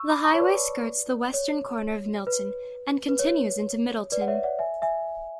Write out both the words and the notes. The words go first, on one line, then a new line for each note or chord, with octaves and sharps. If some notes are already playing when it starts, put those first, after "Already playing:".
The highway skirts the western corner of Milton and continues into Middleton.
Already playing: C#6 E6
B5 D6
A5 C#6
C#5
B4 D5
C#5
B4
B4
C#5
B4 D5
F#5
C#5 E5
D5 F#5
E5 G#5
E5 G#5